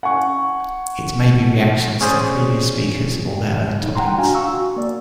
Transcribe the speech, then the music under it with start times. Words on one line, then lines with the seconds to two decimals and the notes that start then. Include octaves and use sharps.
It may be reactions to the previous speakers or their own topics.
0.03 F#5 G#5 C#6
2.01 C#4 G#4 C5 D5
3.78 G3 D#4
3.95 F#5 G5 A#5 C6
4.18 D4 F#4 F5 G#5 A#5
4.35 C#6 E6
4.49 F#4
4.76 A#3 D5